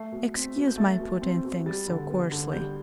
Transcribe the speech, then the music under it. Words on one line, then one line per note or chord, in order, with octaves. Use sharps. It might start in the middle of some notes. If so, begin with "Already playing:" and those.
Excuse my putting things so coarsely.
Already playing: A3 C7
B2
C4 B6
B2
G6
A3 A6
B2
C4
B2
G3 A6
D3
B3
D3
G3 G6